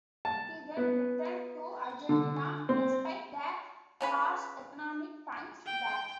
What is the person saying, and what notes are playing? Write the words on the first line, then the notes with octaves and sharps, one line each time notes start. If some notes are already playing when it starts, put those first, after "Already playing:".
He then returned to Argentina, despite the harsh economic times there.
A5
B3
D3
C4
C#3 C#4 B4
G5